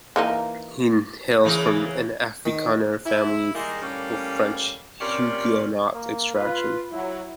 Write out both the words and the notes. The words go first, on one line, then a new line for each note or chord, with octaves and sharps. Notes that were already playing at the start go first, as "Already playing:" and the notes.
He hails from an Afrikaner farming family of French Huguenot extraction.
E3 A#3 D#4
C#3 E3 A#3
D#3
E4
D#3 G3 G#3 A#3 G#4 A#4
A2 G3 A#3 C#4
C3 C#4 F4 G4 A#4 D5
A#3
F4 B4
F#3 E4